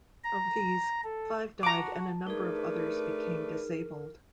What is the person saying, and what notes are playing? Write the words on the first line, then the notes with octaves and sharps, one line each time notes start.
Of these, five died and a number of others became disabled.
A#5
A4
F#4 A5 A#5 D6
A3 D4 D#4 G#4 A#4 B4